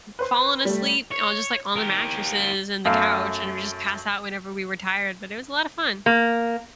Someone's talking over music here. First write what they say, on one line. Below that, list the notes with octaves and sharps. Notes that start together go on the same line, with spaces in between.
falling asleep on just, like, on the mattresses and the couch, and we just passed out whenever we were tired, but it was a lot of fun.
B4 C5 C6
G3 A3
C#5
G4 A#4
F#2 A3 F5
A#3